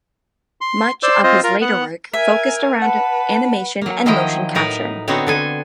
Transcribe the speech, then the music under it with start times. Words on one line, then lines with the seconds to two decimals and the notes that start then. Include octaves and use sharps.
Much of his later work focused around animation and motion capture.
0.61 C6
1.03 C5 D5 C6 E6
1.23 C4 F4 C5 D#5
1.43 F4 A#4
1.61 B3 F#5
2.13 A#4 E5 G#5
2.82 B4 F#5 A5
3.81 F#3 A#3
4.06 D#3 F3 F#3 E4 D#5 G5
4.55 A2 D#4 A#4 B4
5.08 D3 B3 C4 D#4 F#4 C#5
5.27 D3 A4 G#5